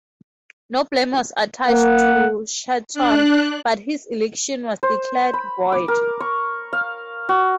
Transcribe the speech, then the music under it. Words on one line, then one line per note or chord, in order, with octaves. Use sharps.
No blame was attached to Shenton, but his election was declared void.
A#3 F#5
D4 F#6
C5
B5
D6
A#4
C#6
F5
F#4